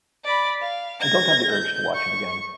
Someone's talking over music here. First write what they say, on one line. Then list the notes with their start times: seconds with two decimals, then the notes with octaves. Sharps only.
I don't have the urge to watch it again.
0.25 D5 B5
0.62 F5
1.01 G#6 A#6
1.52 G6
1.95 C#6